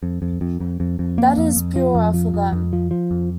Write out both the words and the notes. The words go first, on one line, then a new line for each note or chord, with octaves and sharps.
That is purer for them.
F2
F2
F2
F2
F2
F2
A#3
F2
F2
F3
F2
F3
F2
F2
F3
F3
F2